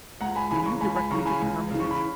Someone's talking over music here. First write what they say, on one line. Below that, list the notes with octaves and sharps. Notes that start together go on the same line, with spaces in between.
'Will you direct me to the Hermitage?
C#2 F#5 A#5
G#5 B5
C#3 E3 G#5 B5
A#5 C#6
C#2 G#5 B5
G#5 B5
C#3 E3 A#5 C#6
G#5 B5
C#2
C#3 E3
C#6
B5